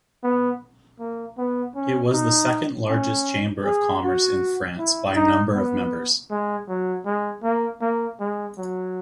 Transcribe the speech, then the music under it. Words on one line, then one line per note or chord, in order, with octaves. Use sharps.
It was the second largest Chamber of Commerce in France by number of members.
B3
A#3
B3
C#4
D#4
C#4
G#4
F#4
E4
D#4
B3
G#3
F#3
G#3
A#3
A#3
G#3
F#3